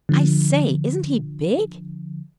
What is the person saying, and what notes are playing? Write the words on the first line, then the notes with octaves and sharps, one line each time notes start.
"I say, isn't he big!"
D3 F3